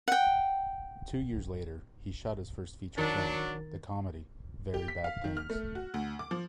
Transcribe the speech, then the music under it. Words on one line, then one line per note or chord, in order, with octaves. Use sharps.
Two years later he shot his first feature film, the comedy Very Bad Things.
F#5 G5
D#3 F#3 D4 A#4 A6
G4
B6
F5
D#3
F6
A3
F#4
D2
D6
F3